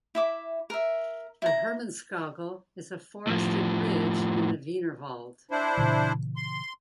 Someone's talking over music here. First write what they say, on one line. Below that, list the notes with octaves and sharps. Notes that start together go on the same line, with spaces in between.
The Hermannskogel is a forested ridge in the Wienerwald.
E4 E5 D6
A#4 E5
E4 A#5
A2 F3
D4 E4 C5
A#2 C#3 E3
C6